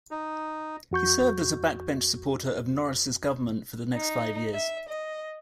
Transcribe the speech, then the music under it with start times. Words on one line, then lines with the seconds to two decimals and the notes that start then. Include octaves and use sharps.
He served as a backbench supporter of Norris's government for the next five years.
0.11 D#4
0.91 F2 F#4 C#6 G6
3.95 D#4
4.54 E5
4.88 D#5